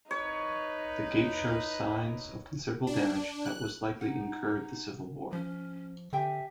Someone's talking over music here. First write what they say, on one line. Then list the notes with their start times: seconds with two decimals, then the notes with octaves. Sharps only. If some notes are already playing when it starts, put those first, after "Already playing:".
The gate shows signs of considerable damage that was likely incurred the civil war.
0.11 D#4 B4 C#5
2.87 D4
3.46 F#6
4.01 D#4 F#5
5.33 F3 C#4
6.13 D3 G4 E5 G5 G#5